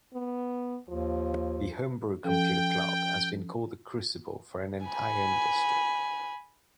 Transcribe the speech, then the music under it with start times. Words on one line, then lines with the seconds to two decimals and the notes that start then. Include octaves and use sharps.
The Homebrew Computer Club has been called the crucible for an entire industry.
0.14 B3
0.89 D#2 F3
2.24 F3 C#4 A4 G5
4.86 G#5 B5